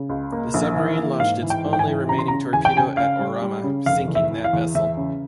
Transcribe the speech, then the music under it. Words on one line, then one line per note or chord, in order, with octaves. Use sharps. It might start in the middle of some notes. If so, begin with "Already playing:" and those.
The submarine launched its only remaining torpedo at "Orama", sinking that vessel.
Already playing: C#3
C#2
A#3
A#1
E3
A#3
G#2 F5
E3
G5
G#2
G5
G#5
E3
C#3 A#5
C6
A#5
C#3
E2 G#5
G5
C#3 G#5
C#3 F5
G3
G3
C#3
F1 F5
E2
E5
E3
F5
E2
E2 E5
C#3